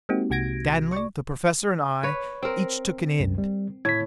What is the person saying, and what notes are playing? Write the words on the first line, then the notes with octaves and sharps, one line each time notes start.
Stanley, the Professor and I each took an end.
G#3 A#3 C4 D#4 F#4 G4
C2 C3 F#4 G#6 A#6 D7
D5 C#6
B4 C#5
C4 A#4
C2 F#2
G3
A2 G#6 B6